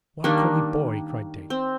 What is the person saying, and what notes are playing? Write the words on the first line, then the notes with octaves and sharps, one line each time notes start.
"Why call me 'boy'?" cried Dick.
D#3 G3 A#3 D4
C4